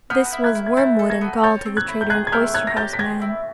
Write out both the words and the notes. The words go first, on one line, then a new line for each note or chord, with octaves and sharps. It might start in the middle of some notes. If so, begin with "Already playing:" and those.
This was wormwood and gall to the trader and oyster-house man.
B3 F6 G6
E4
F#6 G#6
E4
G#6
E4 G6 A6
A4
G#6 A#6
B3
C#5 G6 A6
C4
F#6 G#6
E4
G6
G#4 F#6 G#6
G#6
E4 F6 G6
C#5 F#6 G#6
A#6
G4 G6 A6
B6
G4 G#6 A#6
E4